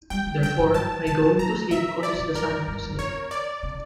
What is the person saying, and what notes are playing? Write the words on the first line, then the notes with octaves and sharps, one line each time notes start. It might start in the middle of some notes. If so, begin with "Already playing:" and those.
Therefore, my going to sleep causes the sun to set.
G3 G5
G3
F3 G5
G2
G2 A5
A2 A5
A2
A2 A#5
A#2 E5
D5
A2
A#2
G2 A#4
G2
G2
E2
F2 C#5
D5
C#3